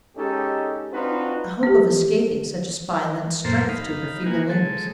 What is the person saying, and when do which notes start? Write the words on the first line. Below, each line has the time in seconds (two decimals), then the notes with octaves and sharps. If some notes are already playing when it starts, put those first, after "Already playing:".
The hope of escaping such a spy lent strength to her feeble limbs.
0.15 G#3 C#4 D#4 G4 A4
0.91 C4 D4 D#4 F4 F#4 B4
1.63 B3 G4
3.44 F#2 A#2 A#3 A4 C5
3.69 D#4 F5 B5
4.26 A#3 F#4 G#5
4.49 G#3 A4